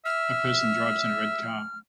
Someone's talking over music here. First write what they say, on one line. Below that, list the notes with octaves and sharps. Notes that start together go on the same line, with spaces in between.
A person drives in a red car.
E5 F6